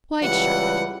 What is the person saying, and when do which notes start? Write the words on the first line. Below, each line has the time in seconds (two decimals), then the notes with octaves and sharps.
'Quite sure.
0.22 C#2 E3 G3 F#5